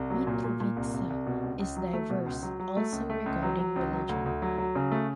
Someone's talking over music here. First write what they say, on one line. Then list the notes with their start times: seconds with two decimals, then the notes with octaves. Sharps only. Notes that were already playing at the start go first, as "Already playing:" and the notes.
Mitrovica is diverse also regarding religion.
Already playing: C2
0.10 F#3
0.27 A#2
0.44 A#2
0.60 A#2
0.76 C2
0.94 C2
1.10 C2
1.26 B2
1.43 C#2
1.60 C#2
1.76 F#3
1.93 A3
2.10 B2
2.26 C#2
2.43 F#3
2.59 F#3
2.77 A3
2.92 C#2
3.10 A3
3.26 C#2
3.42 F#3
3.59 F#3
3.76 C#2
3.92 F#3
4.09 D2
4.26 D2
4.42 F#3
4.58 F#3
4.75 C#3
4.92 A3